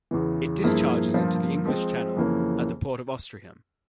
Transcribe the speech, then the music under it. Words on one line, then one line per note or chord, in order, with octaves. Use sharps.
It discharges into the English Channel at the port of Ouistreham.
E2 C#3 E3
G2 F3 A#3 E4 G#4
G2 F3 A#3 F4 C5
F3 G#3 C4
F2 C#3 E3 A#3 C#4